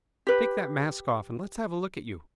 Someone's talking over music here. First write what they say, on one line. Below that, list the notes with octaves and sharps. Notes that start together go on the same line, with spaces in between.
"Take that mask off and let's have a look at you."
G4 B4